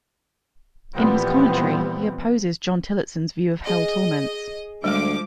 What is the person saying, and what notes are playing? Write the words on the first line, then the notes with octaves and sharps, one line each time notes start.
In his commentary he opposes John Tillotson's view of hell torments.
A#2 E3 F3 G3 B3 C4
G#4 D#5
D2 F3 G3 G#3 D6